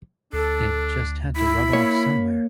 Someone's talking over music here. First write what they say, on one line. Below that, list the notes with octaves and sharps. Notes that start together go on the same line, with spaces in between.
It just had to rub off somewhere.
D2 D4 A4
E4 B5
A#3 C#5